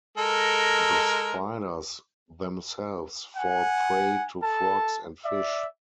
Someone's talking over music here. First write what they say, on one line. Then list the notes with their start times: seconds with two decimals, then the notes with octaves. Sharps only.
The spiders themselves fall prey to frogs and fish.
0.17 G#3 A4 A#4
3.36 F#5 G#5
4.40 A4 A5
5.23 D5 E5